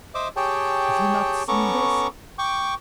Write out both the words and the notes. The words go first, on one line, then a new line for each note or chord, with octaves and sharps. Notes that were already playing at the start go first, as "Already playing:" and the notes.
Have you not seen this?
C5 D#5 E5 D6
G4 G#4 C#5 G5 A5
B3 C#4 A4 A#5 C#6 D6
G5 C#6 D6